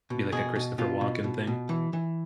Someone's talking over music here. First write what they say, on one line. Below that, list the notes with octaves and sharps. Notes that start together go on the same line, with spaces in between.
be like a Christopher Walken thing.
B2
B2 G#4
B2
B2 F4
B2
B2
B2
E3
E3